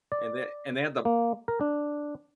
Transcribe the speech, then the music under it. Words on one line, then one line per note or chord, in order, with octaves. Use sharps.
and they and they had the
D5
A#3
A#4
D4